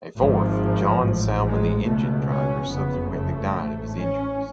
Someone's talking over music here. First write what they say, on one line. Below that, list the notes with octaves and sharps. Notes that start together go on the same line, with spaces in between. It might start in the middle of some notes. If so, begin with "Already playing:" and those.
A fourth, John Salmon the engine driver, subsequently died of his injuries.
G#1 G#2 F3
A1 G#2
G#3
C#2 B2 A3
C#4
F#1 F2 C#3 B3
A3
A1 G#2
C#4